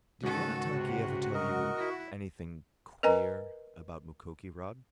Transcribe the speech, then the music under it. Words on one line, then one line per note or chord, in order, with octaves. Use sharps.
"Did Minnetaki ever tell you--anything--queer--about Mukoki, Rod?"
C#2 G#2 D#3 C#4 F#4 A4
C3
A#4 D#5
E4
A#4 B4 D#5 G#5 A#5